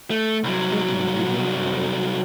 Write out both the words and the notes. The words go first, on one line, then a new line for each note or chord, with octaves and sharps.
Canton did him honor.
A3
C2 F#3